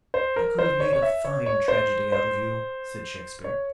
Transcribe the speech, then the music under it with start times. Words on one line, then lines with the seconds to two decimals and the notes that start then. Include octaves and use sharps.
"I could have made a fine tragedy out of you," said Shakespeare.
0.14 C5
0.36 A#4
0.59 C5
0.80 C#5
0.93 C#5
1.02 E5
1.25 C#5
1.46 C#5
1.68 C5
2.12 C5
3.44 C#5